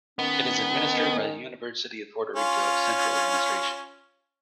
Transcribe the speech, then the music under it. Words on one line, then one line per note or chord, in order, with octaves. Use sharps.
It is administered by the University of Puerto Rico, Central Administration.
D#3 B3 C#4
C#4 F4